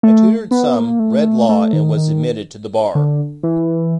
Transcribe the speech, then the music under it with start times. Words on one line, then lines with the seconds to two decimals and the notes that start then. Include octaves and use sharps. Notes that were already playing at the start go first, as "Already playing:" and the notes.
I tutored some, read law, and was admitted to the bar.
0.03 A3
0.51 B3
0.76 A#3
0.99 A3
1.49 A3
1.73 D#3
1.97 D#3
2.95 D3
3.43 E3